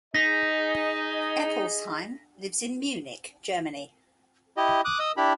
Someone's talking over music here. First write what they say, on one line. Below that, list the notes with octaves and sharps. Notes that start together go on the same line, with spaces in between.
Eppelsheim lives in Munich, Germany.
D#4 G#4 D#5 A#6 B6
E4 G4 D#5
D6 D#6 F#6
D#5 D#6 E6
D4 E4 G4 B5